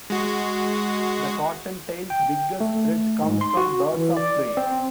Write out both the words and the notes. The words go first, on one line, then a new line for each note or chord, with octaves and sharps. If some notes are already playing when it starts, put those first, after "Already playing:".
The cottontail's biggest threat comes from birds of prey.
G#3 F#4
G5
A3
G#2
C6
F#4
E3
D5
C4